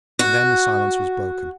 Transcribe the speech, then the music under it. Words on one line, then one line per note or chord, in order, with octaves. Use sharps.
And then the silence was broken.
F#4